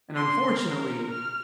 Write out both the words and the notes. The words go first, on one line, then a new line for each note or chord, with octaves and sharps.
and unfortunately,
C6
A#4
F6